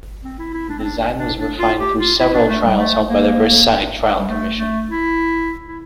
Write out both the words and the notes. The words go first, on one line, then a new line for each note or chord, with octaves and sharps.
The design was refined through several trials held by the Versailles Trial Commission.
C4
E4
E4
D4
C4
D4
D4
D4
D4
F4
G4
F4
E4
D4
A3
G3
A3
A#3
G3
A3
A3
E4
E4